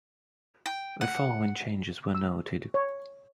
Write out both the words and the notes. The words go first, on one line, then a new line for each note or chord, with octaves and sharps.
The following changes were noted.
G5
F#5
E6
C#5